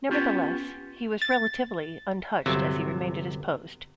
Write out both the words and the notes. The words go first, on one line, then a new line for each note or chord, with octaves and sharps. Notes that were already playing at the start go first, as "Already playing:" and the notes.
Nevertheless, he was relatively untouched as he remained at his post.
B3 C#4 F4 G4
A6
G1 C3 F#3 E5